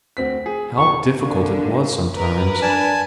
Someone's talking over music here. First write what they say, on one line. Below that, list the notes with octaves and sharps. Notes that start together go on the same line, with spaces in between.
How difficult it was sometimes.
D2 C4 B6
G#4
A#1 C#6
D3 A#3
A#4 B4
D4 G#5 A5